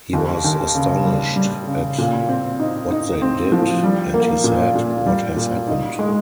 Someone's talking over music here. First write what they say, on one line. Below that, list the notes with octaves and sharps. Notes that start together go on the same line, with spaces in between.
He was astonished at what they did, and he said, "What has happened?"
D#2
D#2
C#3
G3
G3
C#3
A#2
C4
D#4
D#4
C4
F3
G3
A#3
A#2
A#2
G3
A#2
D#4
G#3